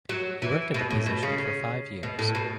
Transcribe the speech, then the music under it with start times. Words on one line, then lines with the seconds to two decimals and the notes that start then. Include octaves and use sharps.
He worked at the position for five years.
0.09 F#3
0.42 E3
0.74 B2
0.90 A2
1.06 B2
1.23 C#3
1.38 C#3
2.03 B2
2.19 A2
2.35 B2